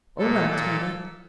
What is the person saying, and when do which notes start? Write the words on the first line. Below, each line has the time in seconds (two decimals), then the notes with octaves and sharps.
'All right, Mother.
0.18 A#2 A4
0.49 A#2 A4